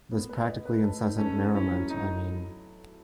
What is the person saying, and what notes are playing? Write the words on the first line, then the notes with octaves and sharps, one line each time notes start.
This practically incessant merriment, I mean.
B3
B4
D#5
B4
A4
D#4
C#4 A4
A3
C#4 E4
F#3
F#3 D#4